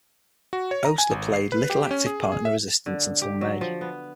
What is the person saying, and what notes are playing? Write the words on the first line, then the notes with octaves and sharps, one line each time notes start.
Oastler played little active part in the resistance until May.
F#4
C#5
A#5
G#5
G#1
C7
B4
G4
C#4
G#4
G#4
E5
D3
G4
F#3
F3
B3